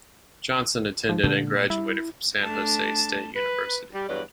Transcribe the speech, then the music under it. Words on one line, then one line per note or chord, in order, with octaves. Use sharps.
Johnson attended and graduated from San Jose State University.
F3
A#2 D3 G#3 A#3
G3 E4
A3 D4 A5
B4
G3
E2 G2 F#3 B4 D5